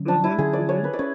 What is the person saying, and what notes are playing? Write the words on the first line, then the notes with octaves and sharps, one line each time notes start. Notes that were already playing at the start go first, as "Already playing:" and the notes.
Mhm, mhm.
Already playing: D3 F#3 C#4
D4
E4
D3 F#3 C#4 G#4
D5
C#5
B4
D5
C#4 C#5